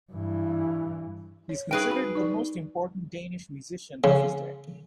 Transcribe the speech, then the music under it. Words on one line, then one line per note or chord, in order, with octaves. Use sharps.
He is considered the most important Danish musician of his day.
G2 E3
C#5
G3 D#4 G#4 B4 G5
F#4 B5
D#4 D5
C#3